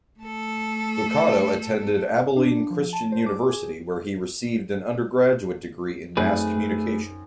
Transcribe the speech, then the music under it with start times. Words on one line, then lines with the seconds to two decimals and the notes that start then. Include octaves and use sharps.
Lucado attended Abilene Christian University where he received an undergraduate degree in Mass Communication.
0.20 A3 A4
2.37 D4
2.71 F3
2.93 A5
3.12 C5
3.26 D6
3.50 G#4
6.17 F#2 A3 C4 D#4 G#4 B4